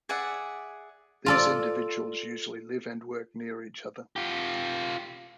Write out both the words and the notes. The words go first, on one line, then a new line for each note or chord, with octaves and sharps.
These individuals usually live and work near each other.
G#4 D5 E5 F#5
F4 A4 D5
F4 G4